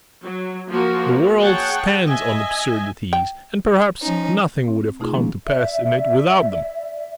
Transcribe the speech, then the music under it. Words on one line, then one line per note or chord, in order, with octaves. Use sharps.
The world stands on absurdities, and perhaps nothing would have come to pass in it without them.
F#3
F3 A#3 F#4 A#4
G#4 C#5 F#5 G5 A5
D#5 E5 G#5
G5
F3 C#4 D#4
C4
B2 A3 D#4 F4 G#4
D#3 F3 G#3 A#3 C4 C#4
D5 E5